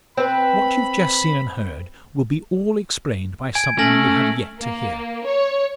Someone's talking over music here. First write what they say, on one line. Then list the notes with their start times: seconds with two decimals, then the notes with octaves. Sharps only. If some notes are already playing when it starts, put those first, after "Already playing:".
What you've just seen and heard, will be all explained by something you have yet to hear.
0.17 C4 B4 B5
3.55 G#5 G#6 D7
3.79 A3 C#4 G#5 A#6 F#7
4.59 A#3
5.24 C#5